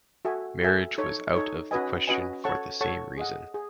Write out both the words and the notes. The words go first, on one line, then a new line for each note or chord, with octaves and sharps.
Marriage was out of the question for the same reason.
F#4 A4 E5 G#5
F#4 A4 E5 G#5
D#4 A4 C#5
D#4 A4 C#5
C#4 F#4 B4 D#5 G#5
C#4 F#4 B4 D#5 G#5
A4 C#5 F#5 A5 C#6
A4 C#5 F#5 A5 C#6
G#4 D#5 F#5
G#4